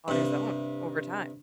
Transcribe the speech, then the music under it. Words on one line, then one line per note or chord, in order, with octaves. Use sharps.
On his own, over time.
G2 C3